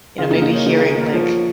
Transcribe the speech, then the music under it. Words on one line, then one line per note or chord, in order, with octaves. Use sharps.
you know, maybe hearing like
C#3 F4
D#4
A#3
D#4
A#3 C#4
C#3 D#4
F4
A#3
G#4
A#3
A#4
F3 C#5